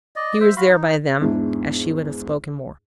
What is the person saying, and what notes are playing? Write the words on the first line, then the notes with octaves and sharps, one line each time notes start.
He was there by them as she would have spoken more.
D5 D#5
C5 E5
F#4 F5 B5 C6
D#4
E2 G#2 D4 E4